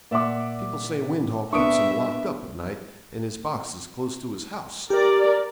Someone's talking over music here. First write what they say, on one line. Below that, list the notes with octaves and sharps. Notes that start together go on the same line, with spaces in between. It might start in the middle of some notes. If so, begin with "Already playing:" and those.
People say Windhall keeps him locked up at night, and his box is close to his house.'
A#2 D5 E5 F#5 D6
B3 D4 E5 C#6 D#6 D7
G4 A#4 D5